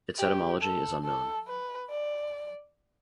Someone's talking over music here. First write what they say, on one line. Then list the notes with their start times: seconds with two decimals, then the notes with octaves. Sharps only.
Its etymology is unknown.
0.18 G4
0.61 A4
1.04 A4
1.47 B4
1.90 D5